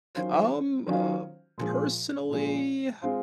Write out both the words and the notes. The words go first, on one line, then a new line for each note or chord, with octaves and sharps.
Um, uh, personally,
D#3 F#3 C#4 F4 C5
D#3 F#3 C#4 F4 C5
A#2 F3 G#3
A#2 F3 G#3
G#3 C4 F4 C5